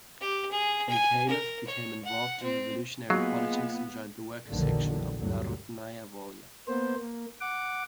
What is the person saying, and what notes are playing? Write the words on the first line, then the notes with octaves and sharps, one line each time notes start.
Mikhaylov became involved in revolutionary politics and joined the Workers' Section of Narodnaya Volya.
G4
G#4
G#5
A#4
C#5
F#5
C4
F#3 G#3 A#3 B3 F4 F5
A#1 E2 A#2 D3 D#3 F#3
D2 G2 D3 F#3
A#3 B3 C5
A#3
F#5 D6